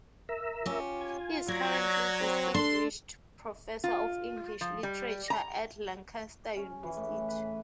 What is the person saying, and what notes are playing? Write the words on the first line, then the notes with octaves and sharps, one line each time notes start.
He is currently Distinguished Professor of English Literature at Lancaster University.
A#4 E5
C#4 F4 G4
G#5
F#3 D5 A#5 G#6
C4
D4 A4 C6
F4
F3
G3
A#5
C#4
E3
A2
B4